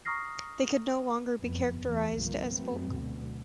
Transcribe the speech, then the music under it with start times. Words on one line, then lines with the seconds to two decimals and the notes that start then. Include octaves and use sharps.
They could no longer be characterized as folk.
0.05 A#5 C#6 D#6 F6 A#6 C7
1.38 F#1 F2 B3
1.80 E2
2.16 G1 C2 D#3 F3 A#3
2.51 F#2 F#3 A3 B3 C4
2.91 D2 B2 D3 F#3